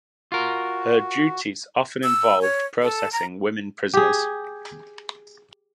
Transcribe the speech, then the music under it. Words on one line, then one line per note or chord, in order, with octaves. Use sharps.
Her duties often involved processing women prisoners.
F4 F#4 A#4
E6
C#5
A4
A#5
G4 G#4